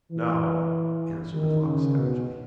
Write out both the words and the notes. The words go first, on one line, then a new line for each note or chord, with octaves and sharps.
"No," answered the fox savagely.
E3
D#3
C#3
B2